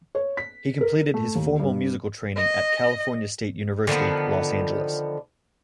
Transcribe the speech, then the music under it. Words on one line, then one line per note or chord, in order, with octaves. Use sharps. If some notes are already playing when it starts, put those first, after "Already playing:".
He completed his formal musical training at California State University, Los Angeles.
C#5
B6
A#4
A3
D#2
G2
D#5
D3 D#3 F3 B3